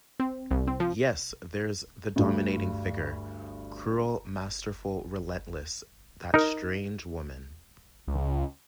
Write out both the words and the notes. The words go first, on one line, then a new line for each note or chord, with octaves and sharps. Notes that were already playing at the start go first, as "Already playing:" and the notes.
Yes, there's the dominating figure — cruel, masterful, relentless — that strange woman.
C4
C2
C4
F3
D2 G2
D#4 A#4
C#2